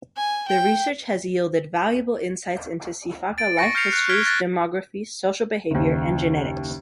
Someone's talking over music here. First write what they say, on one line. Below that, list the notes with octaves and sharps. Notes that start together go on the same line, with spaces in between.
The research has yielded valuable insights into sifaka life-histories, demography, social behavior, and genetics.
G#5
G5
A6 D7
C#6 A#6 C#7
F6 G6 A#6 C7 C#7 F7
F#6
F6 G#6 B6 D7 G7
F#6 A6 A#6
F#1 D#2